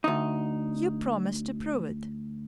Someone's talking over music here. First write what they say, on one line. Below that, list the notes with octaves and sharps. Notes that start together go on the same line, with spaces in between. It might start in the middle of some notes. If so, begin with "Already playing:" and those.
You promised to prove it.
D2 D#4